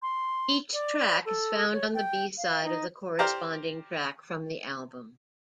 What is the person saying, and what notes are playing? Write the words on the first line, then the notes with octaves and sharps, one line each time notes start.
Each track is found on the B-side of the corresponding track from the album.
C6
D5
A4
C#5
G5
F5
D#4
G4 C5 D5 F5 A#5